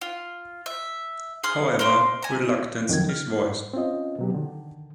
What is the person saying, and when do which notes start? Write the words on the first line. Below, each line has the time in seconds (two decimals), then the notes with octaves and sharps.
However, reluctance is voiced.
0.01 F4
0.66 E5
1.44 G#4 C6 D#6 F6
1.79 A#4 C5 C6 F#6
2.22 G#5 A#5
2.89 F2 D3 D#3 F#3 G#6
3.09 F6
3.44 G#2
3.73 C4 C#4 F4 D#5
4.19 B2 F#3 G4
4.34 D3 D#3